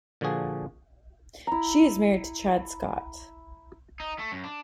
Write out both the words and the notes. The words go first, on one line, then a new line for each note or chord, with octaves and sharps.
She is married to Chad Scott.
A#2 D3 F3 F#4 G#4
E4 A#5
D#4
A3
F#2
D4